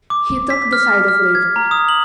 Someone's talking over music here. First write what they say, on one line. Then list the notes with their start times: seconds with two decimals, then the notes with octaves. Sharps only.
He took the side of labor.
0.10 D6
0.50 B6
0.73 F6
1.08 F6
1.35 G#6
1.56 A#5
1.71 D#6
1.88 F#7